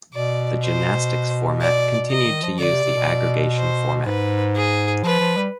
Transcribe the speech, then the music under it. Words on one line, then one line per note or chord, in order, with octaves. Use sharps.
The gymnastics format continued to use the aggregation format.
B2 D5
C5
D5
C3 D#5
D#3
F3
D3 D5
C3
C3
B2
C5
G#2 B4
G#4
F3 B4
F3
G3